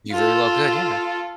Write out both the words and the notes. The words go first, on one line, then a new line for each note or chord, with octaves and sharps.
You very well could, yeah.
F4 A4